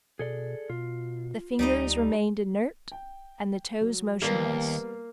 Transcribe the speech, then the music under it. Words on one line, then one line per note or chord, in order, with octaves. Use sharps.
The fingers remained inert, and the toes motionless.
B2 G#4 A4 D5
B2 F4
D2 G3 D#4 D#5
G5
F#3
D#2 G3 A#3 B3 C7